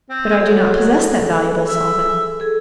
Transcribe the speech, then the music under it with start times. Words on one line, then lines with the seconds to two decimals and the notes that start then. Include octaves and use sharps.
But I do not possess that valuable solvent.
0.10 C4
0.40 F#3 G#4 A4
1.68 E5
2.40 G#4 A4